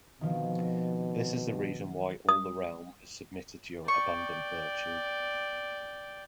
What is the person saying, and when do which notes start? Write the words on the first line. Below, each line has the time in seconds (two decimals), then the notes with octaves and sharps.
This is the reason why all the realm has submitted to your abundant virtue.
0.21 B2 D#3 F3 C4
2.29 D#6
3.88 D5 G5 C#6